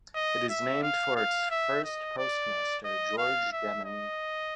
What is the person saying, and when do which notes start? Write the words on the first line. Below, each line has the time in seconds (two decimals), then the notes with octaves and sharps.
It is named for its first postmaster, George Deming.
0.15 D#5
0.49 E5
0.83 F5
1.16 F5
1.51 E5
1.84 D#5
2.18 D5
2.85 D#5
3.18 F5
3.52 E5
3.85 D#5